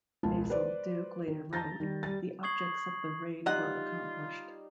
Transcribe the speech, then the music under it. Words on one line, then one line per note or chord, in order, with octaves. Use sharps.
Basil Duke later wrote, The objects of the raid were accomplished.
E1 C#2 F4 A5
B4 C5 D5
D#3 A#4
A5 A#5 G6 A6 A#6
D#3 G3
G3 A6
C#6 D#6 G#6 C7 F#7
G3 D#4 F4 D#5 F#5